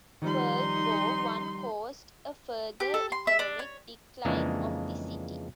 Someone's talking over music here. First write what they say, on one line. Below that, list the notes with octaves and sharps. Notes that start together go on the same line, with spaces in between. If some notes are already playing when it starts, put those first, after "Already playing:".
World War One caused a further economic decline of the city.
D#3 F3 G3 D#4 C6
G4
A4
C6
E5
D4
C#5
F2 C#3 E3 G#3 A#3 D4